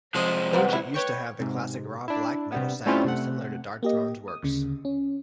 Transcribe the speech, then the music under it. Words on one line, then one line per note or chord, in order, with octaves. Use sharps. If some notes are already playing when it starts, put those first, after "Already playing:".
Ancient used to have the classic raw black metal sound, similar to Darkthrone's works.
C3 F3 G#3 C5 D#5
G3 A#3 C4 B4 F#5
E4 F#4
B4 C#5 G5 C#6
G#2 C3
D4 E4
C3 G3 B3
G3 A3 C4 C#4 E4 F4
C3 A3 F#5
A#3 G4 D#5
D#6
D2 C#3
C#4